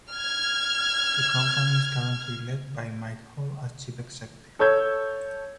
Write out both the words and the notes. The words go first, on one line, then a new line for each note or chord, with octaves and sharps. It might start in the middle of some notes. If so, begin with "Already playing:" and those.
The company is currently led by Mike Hall as Chief Executive.
F6 G#6
A4 C#5 E6 G6 G#6